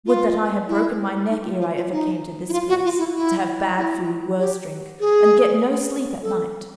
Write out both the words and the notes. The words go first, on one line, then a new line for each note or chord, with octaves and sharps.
Would that I had broken my neck ere I ever came to this place, to have bad food, worse drink, and get no sleep at night!
F4
E4
D#4
F4
F4
F4
D#4
E4
F4
F#4
F4
E4
E4
E4
G4
G#4
A4